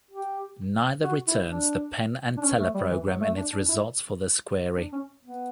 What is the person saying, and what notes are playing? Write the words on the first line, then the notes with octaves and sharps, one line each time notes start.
Neither returns the Penn and Teller program in its results for this query.
G4
F#4
E4
D4
D4
C#4
A3
G3
E3
F#3
A3
D4
D4
E4
D4
C#4
B3